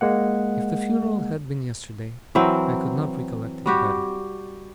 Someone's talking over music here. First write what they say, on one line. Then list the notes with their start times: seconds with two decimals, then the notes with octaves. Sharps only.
If the funeral had been yesterday, I could not recollect it better.
0.01 G#3 A#3 F#5
2.35 E3 F#3 C4 A#4
3.66 G3 F#4 G4